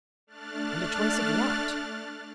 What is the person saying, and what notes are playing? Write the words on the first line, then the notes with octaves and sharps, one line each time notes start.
And a choice of what?
A3 D4 F6 F#6 A6